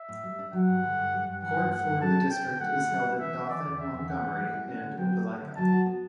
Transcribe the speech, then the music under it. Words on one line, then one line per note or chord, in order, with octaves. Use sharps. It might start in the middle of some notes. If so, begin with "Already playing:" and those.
Court for the District is held at Dothan, Montgomery, and Opelika.
Already playing: E5
A2
G3
D4
F#3 F#5
G2
D3
G2
G3
G2
E3 F#5
G2
A3 F#5
G2
F#3 A5
D4
C#4 G5
D3
A3 F#5
D3
G3
C#3
E3 E5
C#4
E3 D5
E2
C#3 E5
E2
C#4 F#5
E3
G3
E4
C#4 F#5
D3
F#3 G5
G4
B3
D3
F#3 A5
F#4
B3